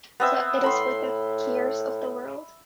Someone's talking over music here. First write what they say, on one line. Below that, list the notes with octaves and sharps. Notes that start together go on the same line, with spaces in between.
So it is with the cares of the world.
B3 C4 E5
A2 B5 C6